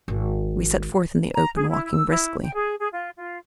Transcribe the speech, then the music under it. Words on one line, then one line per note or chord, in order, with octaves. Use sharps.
We set forth in the open, walking briskly.
G#1
A#5
G#4
E4
E6
E4
G5
G#4
G#4
F4
F4